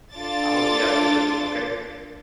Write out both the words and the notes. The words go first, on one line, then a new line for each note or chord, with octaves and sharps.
I hope you have a good one, okay?
D4 F4 A4 D6 A6